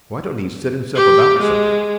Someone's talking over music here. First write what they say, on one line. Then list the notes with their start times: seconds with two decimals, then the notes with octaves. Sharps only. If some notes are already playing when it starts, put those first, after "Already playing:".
Why don't he set himself about something?
0.95 G4
1.40 G#3